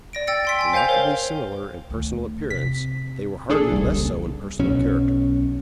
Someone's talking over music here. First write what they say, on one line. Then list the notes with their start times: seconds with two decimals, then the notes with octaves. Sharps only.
Remarkably similar in personal appearance, they were hardly less so in personal character.
0.13 D5 A#6 D7
0.27 G5 E6 A6 C#7
0.45 G5 C6 B6
0.59 G5 G#5
0.73 C5 F5 G#5 G6 F7
0.88 A#4 C5 C#5 G7
1.90 D2 D#3
2.50 C3 B6
3.50 A#1 F3 D4 G#4 A4
3.72 E1 C2
3.92 A#1 C#3
4.59 B1 F#3 C#4